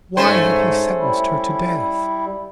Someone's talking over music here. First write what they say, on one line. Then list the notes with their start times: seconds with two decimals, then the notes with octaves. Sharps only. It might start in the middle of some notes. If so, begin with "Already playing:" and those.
Why had he sentenced her to death?
0.17 G#2 A3 C#4 C5
0.99 G3 E4